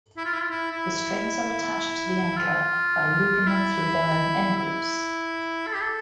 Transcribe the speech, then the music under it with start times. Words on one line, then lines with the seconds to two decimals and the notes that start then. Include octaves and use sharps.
The strings are attached to the anchor by looping them through their own end-loops.
0.17 E4
0.25 F4
0.34 E4
0.42 F4
0.50 E4
0.72 E4
2.37 F4
3.47 E4
4.57 E4
5.67 A4
5.74 G4
5.82 A4